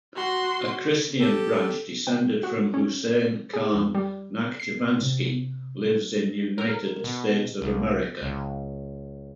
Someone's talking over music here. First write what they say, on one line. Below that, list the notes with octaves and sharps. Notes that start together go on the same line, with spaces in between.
A Christian branch descended from Huseyn Khan Nakhchivanski lives in United States of America.
F#4 C6
G4 A4
G5
F#4
C#4
G#4
F2
G3
C7
C3
A#4
B2
C2
C#2